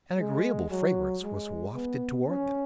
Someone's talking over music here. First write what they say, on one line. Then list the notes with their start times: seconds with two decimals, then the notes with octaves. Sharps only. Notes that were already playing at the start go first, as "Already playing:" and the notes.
An agreeable fragrance was wafted toward them.
0.19 G#3
0.70 F#3
1.23 G#3
1.75 B3
2.28 C#4